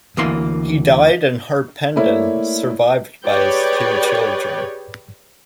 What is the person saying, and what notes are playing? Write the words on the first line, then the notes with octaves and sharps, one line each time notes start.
He died in Harpenden, survived by his two children.
D2 E3 A#3 C6
A3 A#3 E4 C#5 D5
G4 G#4 B4 C#5 D5 G5